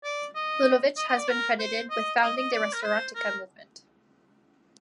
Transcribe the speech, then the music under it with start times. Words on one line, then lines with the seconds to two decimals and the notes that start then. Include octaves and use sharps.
Ludovic has been credited with founding the Restaurantica movement.
0.04 D5
0.35 D#5
0.97 D#5
1.08 D#5
1.18 D5
1.28 A#4
1.59 C5
1.90 D#5
2.22 D#5
2.37 D#5
2.53 D5
2.73 A#4
2.84 C5
3.15 A#4